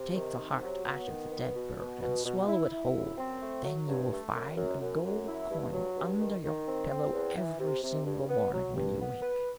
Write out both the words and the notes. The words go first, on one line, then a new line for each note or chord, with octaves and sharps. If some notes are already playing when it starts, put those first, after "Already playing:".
Take the heart out of the dead bird and swallow it whole, then you will find a gold coin under your pillow every single morning when you wake.'
Already playing: C3
D#3
C3
F#3
B3
D#3
B3
B2
B2
B2
B2
E4
E4
F#2
C4
A3
F#3
G2
A3
F#2
F#2
F#2
F#2
E4
G2
F#3
G2
D#3
D#3
C4
C4
E2
E3
C3
C3
G2
B3
F#3
G2
B3
B4